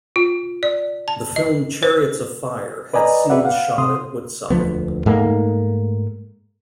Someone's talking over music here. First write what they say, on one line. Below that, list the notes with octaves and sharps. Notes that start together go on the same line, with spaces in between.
The film "Chariots of Fire" had scenes shot at Woodside.
F4
D5
A5
D#5
C5
B4 D5 D#5 G#5 A#5
F#4 G#4 B4 D5 E5 F#5
F5 F#5
C3 C6 D#6
E1 D2 F3 B3
G#2 A3 A#3